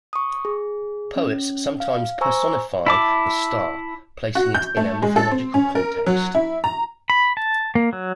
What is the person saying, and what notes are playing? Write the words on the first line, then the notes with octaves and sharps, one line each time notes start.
Poets sometimes personify the star, placing it in a mythological context.
C#6 D#6
G#4
C#4
F5
C5 G#5 A#5 C#6 E6
E4 A5 D6
F#4
G6
A3
G#3
A4
C4
C#4
A#4
F#3
E4
A#5
B5
A5
A#3
F#3